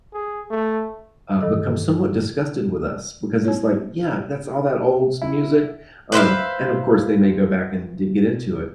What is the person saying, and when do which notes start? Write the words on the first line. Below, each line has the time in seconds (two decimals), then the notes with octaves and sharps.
uh, become somewhat disgusted with us, because it's like, "Yeah, that's all that old school music." Um, and of course they may go back and d get into it,
0.13 G#4
0.51 A3
1.41 G2 D#3 E3 A4 D#5 E6
3.45 B3 C#5
5.22 E4
6.12 B4 C5 E5 F5